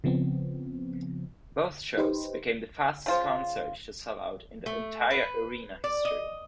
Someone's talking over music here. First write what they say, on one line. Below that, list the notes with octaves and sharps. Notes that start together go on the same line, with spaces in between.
Both shows became the fastest concert to sell out the entire arena in history.
C#3 F3 B3 C4
D#4 G4 B4 C5
C#3 F4 C5
A3
B4
D5
D#5